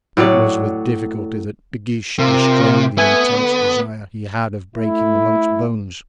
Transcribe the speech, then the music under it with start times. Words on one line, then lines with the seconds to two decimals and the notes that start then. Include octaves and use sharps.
It was with difficulty that De Guiche restrained the intense desire he had of breaking the monk's bones.
0.17 A2 F#3 C#5 D5
2.19 C3 F4 A#4
2.98 A3 B3 E5 G#5
3.32 D3
4.75 A3 E4